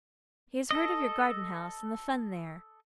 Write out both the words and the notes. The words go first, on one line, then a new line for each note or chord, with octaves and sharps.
He has heard of your garden-house and the fun there.'
A4 D#5